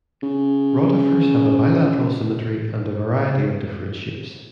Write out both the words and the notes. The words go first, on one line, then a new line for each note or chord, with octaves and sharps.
Rotifers have bilateral symmetry and a variety of different shapes.
C#3